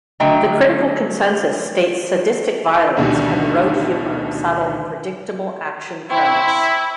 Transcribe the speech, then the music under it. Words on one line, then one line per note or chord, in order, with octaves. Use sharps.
The critical consensus states Sadistic violence and rote humor saddle a predictable action premise.
D3 F#3 A3 D#5 G5 A#5
A1 D2 B2 D3 D#3 G3
E4 C5 C#5 G5